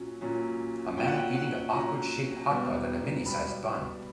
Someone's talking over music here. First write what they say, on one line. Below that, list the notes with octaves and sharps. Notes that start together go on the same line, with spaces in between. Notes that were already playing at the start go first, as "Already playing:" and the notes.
A man eating a awkward shaped hotdog on a mini sized bun.
Already playing: A#2 F#3 C#4
A#2 F#3 C#4
A#2 F#3 C#4 G5
F#5
G5
F#5
A#2 F#3 C#4 A#5
B2 G3 B3
B2 G3 B3 B5